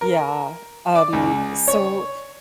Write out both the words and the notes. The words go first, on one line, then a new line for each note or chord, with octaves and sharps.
Yeah. Um, so,
A#4
D5
C#2
C#5